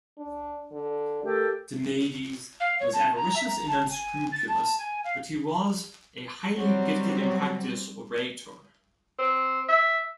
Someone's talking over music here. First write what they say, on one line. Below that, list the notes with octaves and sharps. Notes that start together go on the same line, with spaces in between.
Demades was avaricious and unscrupulous, but he was a highly gifted and practised orator.
D4
D3
A3 G4 A4 A#4
F5
C#5
A5
A#5
E5
A#5
A5
G#5
A6
A5
G#5
F5
F#3 G3 C4
C4
E5